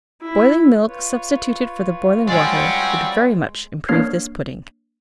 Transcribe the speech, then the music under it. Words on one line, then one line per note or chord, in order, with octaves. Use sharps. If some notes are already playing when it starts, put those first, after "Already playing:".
Boiling milk substituted for the boiling water would very much improve this pudding.
E4
F4 B4 C#5
G#3 C4 C#4 F#4 G#4 D5 G5
A#3 D4 C#5 F6 G#6 C7